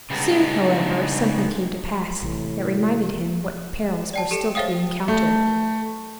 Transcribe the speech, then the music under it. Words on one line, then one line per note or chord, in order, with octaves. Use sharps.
Soon, however, something came to pass, that reminded him what perils were still to be encountered.
C#3 G3 G#3 B3 D4 D#4
A1 A2 C3 E3
D5 G5 A5
G4 A4 C#7
C5 C#5 E5 F5 G5 D#6
A3